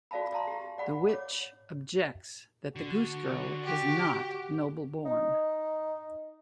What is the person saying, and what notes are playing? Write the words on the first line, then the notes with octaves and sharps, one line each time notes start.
The Witch objects that the Goose-Girl is not noble-born.
F#4 D5 F5 A5 B5
D5 F5 A5 A#5 C6
G4
D5 F#5 B5
C#5 D6
D3 F#4
G4
D#4